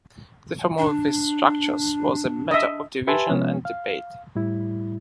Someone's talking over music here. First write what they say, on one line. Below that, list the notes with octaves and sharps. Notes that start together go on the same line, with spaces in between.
The form of these structures was a matter of division and debate.
D4
D#5 E5
G4 B4 E5 G#5 A5 C6
C3 F3 G#3 B3 C#4
F5
A2 G3 E4